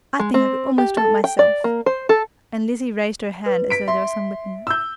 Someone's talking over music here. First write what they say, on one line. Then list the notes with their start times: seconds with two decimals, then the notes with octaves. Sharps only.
"I think I could almost do it myself." And Lizzie raised her hand as though there were some weapon in it.
0.20 G#3
0.34 C4
0.78 G4
0.97 A4
1.24 G5
1.39 D5
1.64 A#3
1.86 C5
2.09 A4
3.46 B4
3.70 B6 D7
3.88 E5 C6
4.67 E6 G6